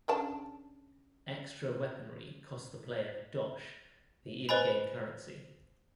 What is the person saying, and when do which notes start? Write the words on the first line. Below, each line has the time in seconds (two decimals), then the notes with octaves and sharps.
Extra weaponry costs the player "dosh", the in-game currency.
0.08 C#3 D4 A5
4.49 B4 C5 D#5 G#5 B5